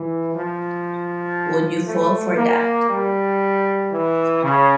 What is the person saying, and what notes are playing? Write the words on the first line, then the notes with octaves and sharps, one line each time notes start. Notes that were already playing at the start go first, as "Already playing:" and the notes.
Would You Fall for That?
Already playing: E3
F3
A3
A#3
G3
E3
C#3